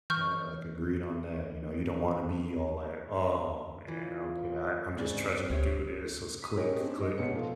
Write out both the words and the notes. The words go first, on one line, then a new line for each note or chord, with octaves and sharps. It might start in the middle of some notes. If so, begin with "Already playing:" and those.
I I agreed on that, you know? You don't wanna be all like, "Oh, man, okay, I I'm just trying to do this." So it's click, click.
E3 C#6 F6 G6
E3 F4
G#2 C#3 C4 D5
D2 G4 C5 C#5 E5
D#6 B6
C#4 D#4 G4 G#4 A#4 C#5
C4 D4
D#4 D#5
B1 G#2 B3 C#5 C#7
B1 F3 F4 A4